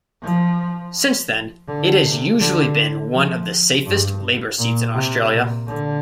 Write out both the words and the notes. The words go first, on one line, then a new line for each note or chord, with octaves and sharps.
Since then, it has usually been one of the safest Labor seats in Australia.
F3
D3
C3
D3
F3
G2
A#2
C3
A#2
D3